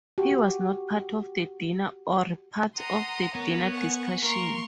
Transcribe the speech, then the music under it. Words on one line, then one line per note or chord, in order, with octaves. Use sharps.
He was not part of the dinner or part of the dinner discussion.
F#4 G4
F#5 A#5 C6 D#6
B3 A#4 C#5
F#5 G#5 C#6
A#3 A#4 C6 C#6 F7